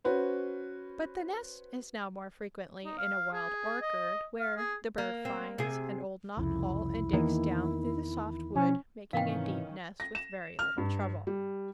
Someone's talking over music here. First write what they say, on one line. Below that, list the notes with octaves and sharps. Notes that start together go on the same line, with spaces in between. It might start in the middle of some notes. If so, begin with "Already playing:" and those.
But the nest is now more frequently in a wild orchard, where the bird finds an old knot-hole and digs down through the soft wood, making a deep nest with very little trouble.
C#4 F#4 B4 C5
D#4
F5
G#4
D#5
F5
G#4
A#3
C4
C3 G#4
C2 F2 C#3 E4
E2 D#3 E3 A#3
B2 F3 C#4
G#2 C3 D#3 E3 C4 C#4 F5 G5
A#6
E7
F6
G2
G3